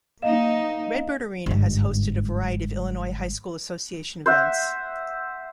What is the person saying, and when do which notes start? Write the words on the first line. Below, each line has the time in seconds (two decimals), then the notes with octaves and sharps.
Redbird Arena has hosted a variety of Illinois High School Association events.
0.22 A#3 D#4 D#5 F5 E7
1.46 G1 G#2
4.26 C5 E5 F#5